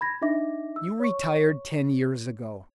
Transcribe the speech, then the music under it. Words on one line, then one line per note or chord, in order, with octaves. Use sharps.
You retired ten years ago.
B5 G#6 A#6
D4 D#4 D#5 E5 D6 A#6
E6
C#5 C#6